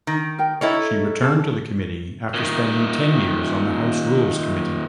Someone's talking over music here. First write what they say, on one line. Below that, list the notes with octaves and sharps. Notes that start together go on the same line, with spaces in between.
She returned to the committee after spending ten years on the House Rules Committee.
D#3
A#4 G5
E4 A4 A#4 C#5 D#5 A#5
G#4 A4
A#2 D#3